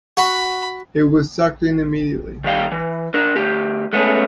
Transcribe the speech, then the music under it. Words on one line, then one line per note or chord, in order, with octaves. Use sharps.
It was sucked in immediately.
F#4 B5
D#3 G3 F5 G5
E3
D4 A#4
D2 G4
G#3 A3 B3 C#4 G4 G#4